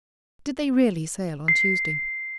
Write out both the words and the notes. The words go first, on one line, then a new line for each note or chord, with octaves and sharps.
Did they really sail on Tuesday?'
C7